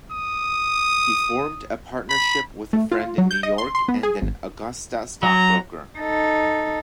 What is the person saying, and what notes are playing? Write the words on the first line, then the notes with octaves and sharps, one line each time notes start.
He formed a partnership with a friend in New York and an Augusta stockbroker.
D#6
B5
A3
F4
F#3
G6
D#5
C6
C6
B3
G#4
G#1
F#3 A#5
D#4 A4